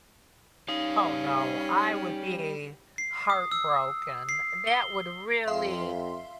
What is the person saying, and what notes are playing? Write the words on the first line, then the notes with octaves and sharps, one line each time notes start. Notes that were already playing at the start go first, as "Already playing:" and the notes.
Oh, no. I would be heartbroken. That would really,
G3 C#4 D#4 F5
C7
D#6
E6
C7
G7
F2 E5 F5 C6